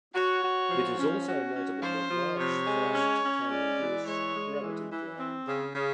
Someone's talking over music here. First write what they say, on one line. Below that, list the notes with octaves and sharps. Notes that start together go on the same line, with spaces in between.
It is also notable that large thrust can reduce gravity drag.
F#4 C#5
F#4
F3
C#4
F#4
C#4
F3 C5
F3
C3 C#5
G#3
C#4 C#5
C#4
G#3 D5
E3
G#3 C#5
G#3
E3
E3
C4
C#3
C#3